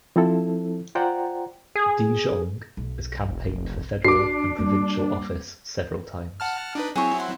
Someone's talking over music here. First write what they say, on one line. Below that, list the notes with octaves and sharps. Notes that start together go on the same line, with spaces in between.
De Jong has campaigned for federal and provincial office several times.
F3 C4 E4 A4
F4 C5 D5 F#5 G5 A#5
G#4
B1
F1
D4 F#4 D6 C7
G3 A#3
F#5 A5 F6
D4 D#4 B4
F#3 C4 E4 G#4 C#5
F#5 C6